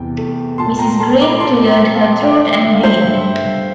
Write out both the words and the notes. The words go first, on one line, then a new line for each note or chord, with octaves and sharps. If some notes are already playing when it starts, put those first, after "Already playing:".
Mrs. Green cleared her throat and beamed.
Already playing: E2 C3 G5
A3
A#2 A5 C6
G5 A#5
A3 A5 C6
A#5 D6
A#2 A5 C6
G5 A#5
A3
F5 A5
A3 E5 G5
D3 E5
F5
C5 E5
G2
G2